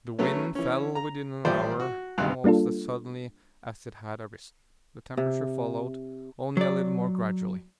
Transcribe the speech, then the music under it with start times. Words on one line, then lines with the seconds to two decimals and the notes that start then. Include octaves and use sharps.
The wind fell within an hour almost as suddenly as it had arisen; the temperature followed, only a little more gradually.
0.19 F#3 A3 B3 C#4
0.55 E3 C#4
0.95 A#5
1.45 A1 F3 G3 C5 D5 E5
1.80 F#4
2.18 G#1 D2 G2 C3 F5 F#6
2.44 G3 A#3 D4 F4 A4
5.17 C3
6.57 F#3 D5